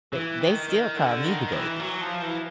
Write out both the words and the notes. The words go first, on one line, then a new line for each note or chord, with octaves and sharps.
they they still call me the baby.
E3
D#3
D#3
D3
D#3
E3
F#3
F3
E3